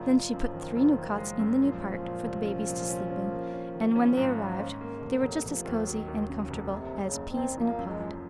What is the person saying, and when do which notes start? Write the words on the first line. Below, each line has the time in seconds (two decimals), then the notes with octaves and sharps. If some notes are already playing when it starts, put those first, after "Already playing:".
Then she put three new cots in the new part for the babies to sleep in, and when they arrived they were just as cozy and comfortable as peas in a pod.
Already playing: F#1 F3
0.11 F#1
0.33 F#2
0.54 D#3
0.76 F#1
0.97 D#3
1.18 G#3
1.39 F#2
1.61 A#2 F3
1.81 C#4
2.04 A#2
2.25 C2
2.45 C#4
2.68 A#2
2.89 C#4
3.10 C#4
3.32 A#3
3.53 C#4
3.74 D#3
3.96 C#4
4.17 G#2
4.38 C#4
4.59 C#4
4.81 A#3
4.93 G#3
5.02 F1 F#3
5.23 F1
5.45 F1 F3
5.65 D#2
5.83 C#3
5.87 D#3 F#3
6.08 D#2
6.29 C#3
6.51 F1
6.72 F#1 C3
6.94 F#1
7.01 C#3
7.15 F#1
7.30 C4
7.37 F#1
7.58 F3 A#3
7.78 F#2
7.86 G#3
8.00 F3